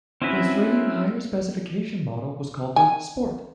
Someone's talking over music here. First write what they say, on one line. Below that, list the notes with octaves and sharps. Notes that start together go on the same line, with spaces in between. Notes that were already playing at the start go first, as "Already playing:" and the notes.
The Australian higher specification model was called the "Sport".
C4 C#4 E4 F#4 B4
G#5